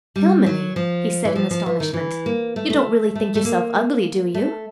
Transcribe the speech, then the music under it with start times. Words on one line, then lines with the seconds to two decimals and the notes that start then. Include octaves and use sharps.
"Kilmeny," he said in astonishment, "you don't really think yourself ugly, do you?"
0.16 G3
0.46 F#3
0.76 F3
1.25 E3
1.36 F3
1.51 F3
1.66 E3
1.80 D#3
1.94 E3
2.26 A#3
2.56 A3
2.70 A3
3.15 A3
3.35 A3
3.45 A#3
4.34 A3